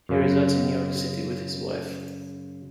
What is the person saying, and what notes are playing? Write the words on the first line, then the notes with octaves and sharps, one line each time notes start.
He resides in New York City with his wife.
F#2 C#3